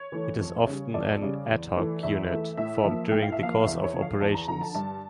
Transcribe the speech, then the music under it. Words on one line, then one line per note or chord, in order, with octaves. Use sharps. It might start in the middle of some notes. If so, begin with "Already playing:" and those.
It is often an "ad hoc" unit, formed during the course of operations.
Already playing: C#5
E3 A3
F2
C#3 G3
F2 D5
C#3 G3
E2
E3 A3
E2 E5
E3 A3
A2 E5
F3 A#3
A2 G5
F5
E5
F3 A#3 F5
E2 E5
C#5
D3 F3
F5
E2 A5
A#5
D3 F3 A#5
A5
G2 A5